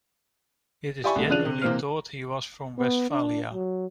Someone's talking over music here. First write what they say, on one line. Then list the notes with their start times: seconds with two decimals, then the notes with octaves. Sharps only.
It is generally thought he was from Westphalia.
1.04 G4 D5 E5 G#5 B5 C#6
1.16 C2 A3
1.30 C#3 F3 D4 F#6 D#7 F7
1.45 C3
1.61 C3 E3 A#3 C4 F6
2.78 B3
3.10 D4
3.53 F#3